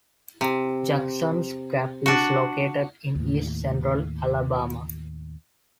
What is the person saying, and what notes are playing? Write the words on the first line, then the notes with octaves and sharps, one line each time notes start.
Jackson's Gap is located in east- central Alabama.
C3
D4 F#4
D#2 A2